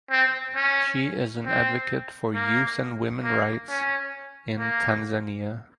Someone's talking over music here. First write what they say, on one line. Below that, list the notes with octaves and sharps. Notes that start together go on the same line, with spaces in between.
She is an advocate for youth and women rights in Tanzania.
C4
C#4
C4
A#3
A#3
C#4
A#3